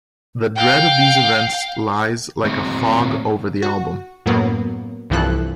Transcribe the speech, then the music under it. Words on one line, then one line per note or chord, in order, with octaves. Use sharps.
The dread of these events lies like a fog over the album.
F5 G5
A2 C4
F#4
F#2 A2 F#3 A#3 B3
C2 G2 E3 F3 A4 F#6